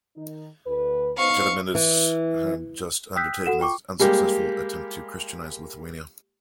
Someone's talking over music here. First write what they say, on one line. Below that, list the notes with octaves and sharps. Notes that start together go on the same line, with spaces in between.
Gediminas had just undertaken an unsuccessful attempt to Christianize Lithuania.
D#3 D#4
D2 B4
B3 D#4 C5 F5 C#6
E3
G5 D#6 E6 F#6 G6 B6
F#4 A4 F#5 E7
F4 G5 C#6 D6
G3 G#3 A#3 G4